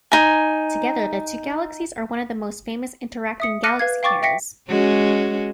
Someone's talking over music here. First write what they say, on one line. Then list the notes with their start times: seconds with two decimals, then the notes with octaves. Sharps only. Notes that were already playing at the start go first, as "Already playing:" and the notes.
Together, the two galaxies are one of the most famous interacting galaxy pairs.
0.12 D#4 G#5
3.40 E5 D#6 C#7
3.63 D6 F6 F#6 A#6 C#7 D#7
3.79 B4 F5 G#6
4.03 F5 G5 C#6 D6 A6
4.22 E5 G5 A#6 B6 C#7
4.69 G#3 C#4 F#4